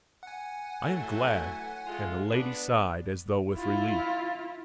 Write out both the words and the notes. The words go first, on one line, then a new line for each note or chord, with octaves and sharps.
"I am glad," and the lady sighed as though with relief.
F#5 G#5
E3 F#3 A3
G#3 A3 F4
B3 D4
E4 F4